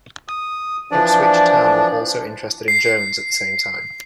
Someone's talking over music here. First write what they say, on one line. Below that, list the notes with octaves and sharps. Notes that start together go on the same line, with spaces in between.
Ipswich Town were also interested in Jones at the same time.
D#6
E3 F3 D4 D5
C7